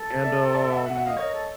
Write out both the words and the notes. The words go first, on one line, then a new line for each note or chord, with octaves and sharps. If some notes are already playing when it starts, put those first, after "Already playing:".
and, um,
Already playing: A4
D5 E5
D5 E5
E5 F#5
E5 F#5
E5 F#5
D#5 F5
A#4 C#5 D#5
A4